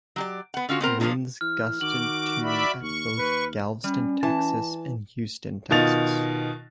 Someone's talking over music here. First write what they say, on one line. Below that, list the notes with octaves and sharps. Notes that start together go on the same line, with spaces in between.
Winds gusted to at both Galveston, Texas and Houston, Texas.
F#3 G4 D5
B3 F#5
D3 C#4 F4 F#4
B3 C4 A#4 C5
A#2 F3 G#3 D4 D#4 G#4
E3 F6
D#3 F#4 D6 F#7
D5 E5 B5
D#2 C#6
D#2 B4
G3 C#4
E3 A5
B2 D#3 F4 D#5 A6 F7